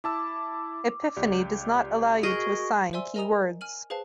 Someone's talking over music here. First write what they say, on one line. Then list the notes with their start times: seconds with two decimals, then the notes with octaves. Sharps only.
Epiphany does not allow you to assign keywords.
0.04 E4 A5 D6 E6
1.17 C#2 G4 D5
2.23 F#4 G#4 A#4 D#5 C#6
2.93 C5 D5 E5 G#5 C6 E6
3.15 A#4 D#5 G#5 A#5 D#6 F7
3.61 G#5 F6 D#7 F#7
3.90 G#4 B4 C5 F5 A5